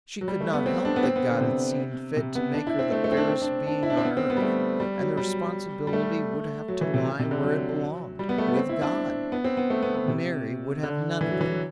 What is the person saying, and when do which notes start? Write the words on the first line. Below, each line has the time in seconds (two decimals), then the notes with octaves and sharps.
She could not help that God had seen fit to make her the fairest being on earth, and the responsibility would have to lie where it belonged--with God; Mary would have none of it.
0.21 F#3
0.28 G3
0.40 A3
0.53 B3
0.66 C4
0.85 D4
0.96 B3
1.03 C4
1.16 B3
1.28 D3
1.41 C3
2.17 C3
2.35 B3
2.54 D4
2.67 E4
2.79 C4
2.92 A3
3.04 A3
3.12 C4
3.17 D4
3.29 C4
3.42 D4
3.67 D4
3.83 E4
3.90 D4
3.97 C4
4.05 B3
4.17 C4
4.30 B3
4.37 G3
4.42 A3
4.80 G3
4.99 F#3
5.17 G3
5.87 G3
5.93 A3
6.68 F#3
6.81 E3
6.94 C3
7.19 C3
7.31 D3
7.43 F#3
8.19 G3
8.29 B3
8.38 A3
8.48 B3
8.57 C4
8.69 E4
8.82 D4
9.32 B3
9.44 C4
9.57 B3
9.70 A3
9.83 B3
9.95 B3
10.08 C3
10.83 D3
11.21 E3
11.31 F#3
11.41 E3
11.51 F#3